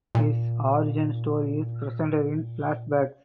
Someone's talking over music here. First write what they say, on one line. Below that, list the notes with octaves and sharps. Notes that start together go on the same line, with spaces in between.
His origin story is presented in flashbacks.
A#2